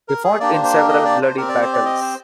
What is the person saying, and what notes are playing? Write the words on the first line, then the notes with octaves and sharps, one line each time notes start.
He fought in several bloody battles.
A#4
G#4
A#3 D4 G4 D5
C5
C5
A#4
D#5
D5
C5
C4 G4 A#4
D5
C5
D5
D#5
C5